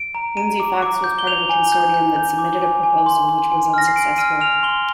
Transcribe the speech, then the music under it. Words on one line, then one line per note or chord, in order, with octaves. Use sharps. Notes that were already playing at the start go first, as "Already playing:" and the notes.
Lindsay Fox was part of a consortium that submitted a proposal which was unsuccessful.
Already playing: D7
A#5
A#5 D#7
D6
D6
G6
G7
G6 F7
G#5
G6
G6
G6
D6
G#5
G#5
C6
C6
G#5
F6 A#6
C7
C6 D7
F6 D#7
F6 F7
C6 G7